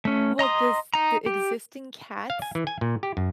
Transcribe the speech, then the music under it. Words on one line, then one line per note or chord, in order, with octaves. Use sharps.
Well, does the existing cats,
A3 C#4
D#5 A#5 C6 D#6
D#4 A#5
G4
F5
G#5
E3
G#5
A#2
G4
F#2